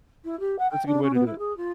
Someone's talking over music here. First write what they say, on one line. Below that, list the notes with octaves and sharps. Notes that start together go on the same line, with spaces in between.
That's a good way to do it.
E4
G4
F#5
G5
D4
C#4
B3
E4
G#4
F4